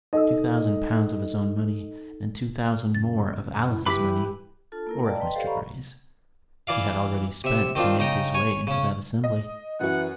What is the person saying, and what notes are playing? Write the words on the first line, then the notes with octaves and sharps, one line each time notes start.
Two thousand pounds of his own money, and two thousand more of Alice's money,--or of Mr. Grey's,--he had already spent to make his way into that assembly.
D#4 A4 D#5 E6
F#2 A#2 C#3 A6
E4
E3 G4 B4 B5 D6 B6
D4 F4 A4 A5
A#3 E4 A#4
D5 D#5 F5 G5 A5 A#5
B4 D#5 G5 C6
G4 A4 C5 D5 F5 F#5
D#5 F5 A#5 B5 C#6
E3 D5 F5
C3 E5
D#3 C4 D4 F4
C#3 D#4 G5 A#5
C#5 G#5
C#3 C#4
D#5
F#2 E3 F#4 F#5